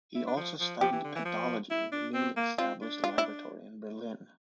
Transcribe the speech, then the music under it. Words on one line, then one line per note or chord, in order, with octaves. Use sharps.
He also studied pedology in the newly established laboratory in Berlin.
E4
D4
F3
F3
F3 G4
E3
D3
E3
F3
E4
D4
C4
A#3
C4 F4
D4
F4
E4